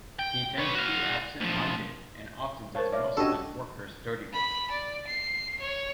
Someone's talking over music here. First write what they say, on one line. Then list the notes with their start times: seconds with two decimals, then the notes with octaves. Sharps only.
He tends to be absentminded and often does most of his worker's dirty work.
0.19 G5
0.58 B3 C#5
0.75 F#4 F5
1.40 D2 F3
2.75 A#4 C5 C#5 F5 A5
2.92 C#5 D5 E5 F5
3.17 C#4 D4 F#4 G4 A4 C#5 D#5
4.33 B5
4.71 D5
5.07 C7
5.60 C#5